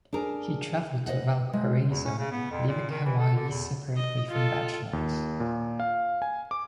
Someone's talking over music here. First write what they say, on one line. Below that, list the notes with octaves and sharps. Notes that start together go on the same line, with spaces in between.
He traveled to Valparaiso, leaving Hawaii separately from Bachelot.
D4 G#4 A#4
B4 D5 D#5 F#5
G#3
E2
C#4
C#3
B3
F2
A#2
D#3
E3
A4
D3
E2
D#5
F4 A4
D#2
A#2
F5
G#5
D6